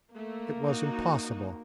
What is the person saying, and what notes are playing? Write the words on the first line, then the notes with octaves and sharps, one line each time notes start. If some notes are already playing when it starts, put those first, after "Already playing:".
It was impossible.
A3 A#3
D#4 F#4